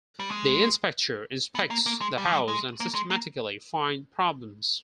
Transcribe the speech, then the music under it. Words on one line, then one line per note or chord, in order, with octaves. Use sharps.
The inspector inspects the house and systematically find problems.
G3
G#3
B3
A#3
A#3
G#3
G3
E3
G3
G#3
A#3
G#3
A#3